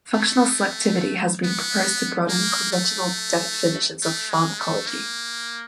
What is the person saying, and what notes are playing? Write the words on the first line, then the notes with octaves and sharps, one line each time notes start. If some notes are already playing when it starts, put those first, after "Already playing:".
Functional selectivity has been proposed to broaden conventional definitions of pharmacology.
A3
B3
A#3
A3
A3
G#3
A3
A#3